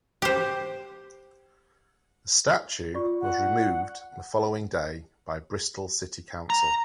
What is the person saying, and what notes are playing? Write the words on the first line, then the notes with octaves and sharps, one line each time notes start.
The statue was removed the following day by Bristol City Council.
G4 C5
F4 D5 C#6
F#5
A#5